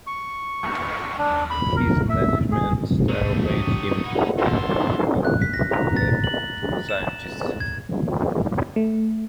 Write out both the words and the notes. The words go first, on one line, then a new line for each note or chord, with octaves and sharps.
His management style made him unpopular with lab scientists.
C#6
D4
B5
A#4
E5
G#4
F#3 A3 A#3 C4 G#4 D#6
G4 C#6 D#6
D#4 E4 F#5
G2 G#3 A4 C6
F#6
B6
A#6
A#5
A6
F#7
E7
G#6
A3